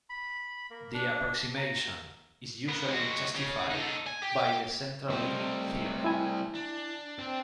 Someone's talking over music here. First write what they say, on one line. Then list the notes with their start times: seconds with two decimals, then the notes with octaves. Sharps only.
The approximation is usually justified by the central limit theorem.
0.10 B5
0.70 A#3
0.94 D4
1.57 A#5
2.69 B3 A#4
2.89 G#3 F#4
3.35 C#3
3.71 D#4 A4
4.07 G#5
4.22 G4
5.10 G3 A3 C4 D#5
6.04 E4 G#5
6.55 D4
7.19 C4